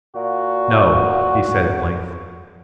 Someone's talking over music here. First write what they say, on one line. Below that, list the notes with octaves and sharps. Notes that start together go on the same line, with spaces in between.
"No," he said at length.
A#2 F#4